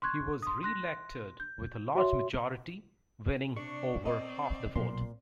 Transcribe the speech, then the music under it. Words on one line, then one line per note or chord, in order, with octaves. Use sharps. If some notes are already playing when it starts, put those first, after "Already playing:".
He was re-elected with a large majority, winning over half the vote.
C6 C#6 F#6 G#6
C6 D#6
C6 F#6 A#6
G6
F#4 C#5 E5 C6
C3 D4 D5 C#6
C4 D5 D#5
B1 A#2 C6